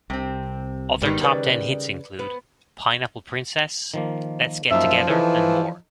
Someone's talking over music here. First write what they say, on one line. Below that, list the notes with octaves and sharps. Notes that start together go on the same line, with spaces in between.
Other top-ten hits include, "Pineapple Princess", "Let's Get Together" and more.
C2 C3 C4
G#1 G#2 D#3 G3 B3 D#4
C#3 B4 C#5 D5
B3
D#3 F3 A#3
F#2 F3 A#3 D#4 E5
E3 D#4 A4